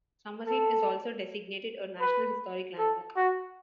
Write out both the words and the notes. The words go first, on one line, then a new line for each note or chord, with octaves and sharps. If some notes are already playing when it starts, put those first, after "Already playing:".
Summerseat is also designated a National Historic Landmark.
A4
B4
A4
F#4